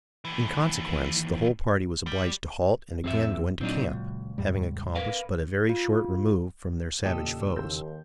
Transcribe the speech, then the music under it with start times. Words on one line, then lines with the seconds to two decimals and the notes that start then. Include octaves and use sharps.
In consequence, the whole party was obliged to halt and again go into camp, having accomplished but a very short remove from their savage foes.
0.25 D#2 E3
2.07 G3
3.04 F2 C4 G#4 E5
3.61 A#2 F#3 C4 D4 D#4
3.91 C#2
4.38 E2 A2 G3
4.95 A#4 B4 F5
5.69 F4
7.05 E2 A#2 C#3 G4 A4 D#5 E6
7.56 D#2 D#3 C6 G6